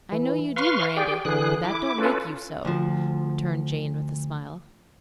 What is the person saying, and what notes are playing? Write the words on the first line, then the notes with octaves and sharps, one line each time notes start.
"I know you do, Mirandy; but that don't MAKE you so," returned Jane with a smile.
E3
B4 F5 C6 C#6 F6
G4 G#4 D5 G5
D3 E3 G#4 F#6
E4 D6
C#4 F4 A4 B4
D2 F3